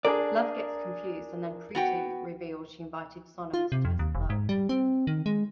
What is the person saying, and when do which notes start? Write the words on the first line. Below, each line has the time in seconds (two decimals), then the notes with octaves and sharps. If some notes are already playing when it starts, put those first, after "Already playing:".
Luv gets confused and then Preeti reveals she invited Sonam to test Luv.
0.05 D4 G#4 A#4 D5
1.75 B3 F#4 G5
3.54 F4
3.72 C3
3.85 F2
3.99 D#2
4.15 F1
4.30 G#2
4.49 G3
4.69 C4
5.07 D#3
5.26 G#3